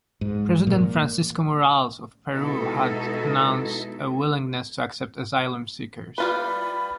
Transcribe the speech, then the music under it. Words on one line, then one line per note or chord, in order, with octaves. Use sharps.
President Francisco Morales of Peru had announced a willingness to accept asylum-seekers.
G#2
A#2
B2 G#3 D#4 E4 F#4 A4
G3 F4 B4 B5